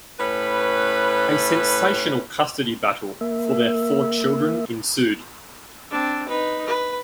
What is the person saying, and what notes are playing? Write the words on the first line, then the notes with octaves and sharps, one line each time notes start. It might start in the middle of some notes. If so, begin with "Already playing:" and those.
A sensational custody battle for their four children ensued.
A2 C#4 B4
A#3 E5
C4 D4
D#4 B4
B4